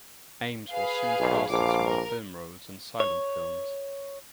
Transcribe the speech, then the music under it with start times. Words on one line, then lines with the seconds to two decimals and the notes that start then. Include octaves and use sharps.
Ames was soon cast in small film roles in silent films.
0.72 G#4 B4 F5
1.20 B1
1.50 A#1 F5 D6
1.87 A#4
3.00 C#5